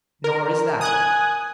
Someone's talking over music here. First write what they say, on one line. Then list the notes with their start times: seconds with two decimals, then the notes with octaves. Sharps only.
"Nor is that."
0.24 A#4
0.81 G#5 D#6 F#6 G#6